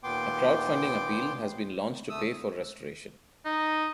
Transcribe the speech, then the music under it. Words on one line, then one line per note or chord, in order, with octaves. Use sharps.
A crowdfunding appeal has been launched to pay for restoration.
D#2 A#2 B3 G5 C6 D6
D2 A3 D#6 E6
D#4